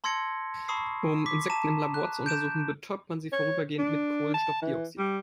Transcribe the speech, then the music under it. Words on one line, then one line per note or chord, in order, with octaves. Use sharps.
Um Insekten im Labor zu untersuchen, betäubt man sie vorübergehend mit Kohlenstoffdioxid.
A5 C6 E6 G#6 A#6 C#7
A5 B5 C#6 D#6 E6 C7
D6 B6
A5 A#5 D#7 E7
F#6
G6 D7 E7
C#5
D4
A5
E3
G3